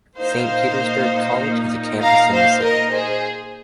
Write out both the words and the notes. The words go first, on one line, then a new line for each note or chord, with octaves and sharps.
Saint Petersburg College has a campus in the city.
A#2 A#3 D#4 C5 F5
F5 A#5
C5 F5
A#4 D#5
G#4 C5